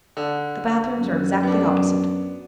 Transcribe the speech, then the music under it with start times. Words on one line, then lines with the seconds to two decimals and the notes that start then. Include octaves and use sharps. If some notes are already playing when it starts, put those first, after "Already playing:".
"The bathrooms are exactly opposite."
0.17 D3
0.97 F#2
1.43 B3 D4